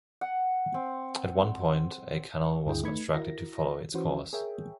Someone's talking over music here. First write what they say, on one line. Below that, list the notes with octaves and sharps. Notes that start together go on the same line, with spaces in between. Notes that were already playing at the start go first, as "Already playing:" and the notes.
At one point a canal was constructed to follow its course.
F#5
C4
C#6
D2 G2 D3 E4 G#4 G5
A3 D#4 B4 B5 G#6 C#7
E4 F#4 A#4 A#6
E3 C#4 F#4 B4 C5
G#4 A#4 C#5 E5 G5